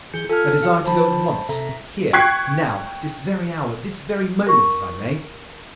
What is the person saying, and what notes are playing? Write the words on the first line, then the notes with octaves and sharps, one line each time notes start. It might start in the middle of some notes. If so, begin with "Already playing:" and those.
I desire to go at once--here--now--this very hour--this very moment, if I may.
E3 G#4 G6 C#7
F4 A4 G#5 F6
G4 F5 C#6
F3 C5 A5 B5
C3 A4 E5 A#5
G5 C#6 F#6 G#6 B6 C7
A#4 C#6